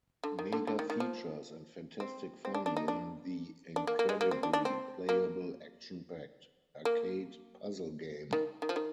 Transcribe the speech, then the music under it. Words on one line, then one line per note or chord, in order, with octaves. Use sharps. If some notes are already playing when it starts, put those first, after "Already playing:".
Mega features and fantastic fun in the incredibly playable, action packed, arcade puzzle game!
D3
D#3
D3
D3
D#3
D#3
F3
C4
C4
D4
D4
D#4
D4
D4
A#3
A#3
G#3
A#3
C4
D4
D4
C4
A#3
A#3
D#3
D#3
F3
D#3